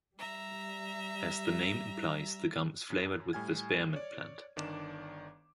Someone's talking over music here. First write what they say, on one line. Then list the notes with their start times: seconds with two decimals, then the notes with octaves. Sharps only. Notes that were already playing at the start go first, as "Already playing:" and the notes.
As the name implies the gum is flavored with the spearmint plant.
0.16 G3 E5 A#5
2.90 F#2
3.33 A2 G3 G#5 F6 G#6
3.93 C#5 D5
4.56 G1 D#3 D4 D5 D6 E7